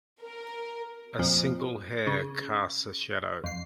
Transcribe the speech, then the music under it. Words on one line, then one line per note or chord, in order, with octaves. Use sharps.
A single hair casts a shadow.
A#4
F2 A#2 F3
C#3
F2 C7